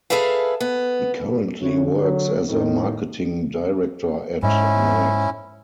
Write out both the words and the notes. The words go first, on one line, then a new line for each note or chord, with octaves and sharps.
He currently works as a marketing director at Nike.
G#4 A4 B4 E5 F5
B3
D3 E4 F#4 C#5
F#3
A2 D#3
G#2 C#4 E4